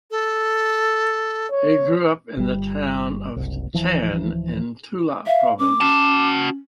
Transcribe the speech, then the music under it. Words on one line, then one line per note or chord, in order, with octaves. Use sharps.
He grew up in the town of Chern in Tula province.
A4
C#5
G1 G3
F#1 C2
D1 E3 F3
E5 F5
C#4 D6
C#4 F#4 A5